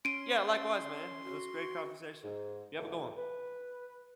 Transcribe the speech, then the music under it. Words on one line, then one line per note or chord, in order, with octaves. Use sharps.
Yeah, likewise, man. It was a great conversation. You have a good one.
C#4 C6 D7 D#7
F#4
G#2
C#2 B2 E3 F#3 A3
B4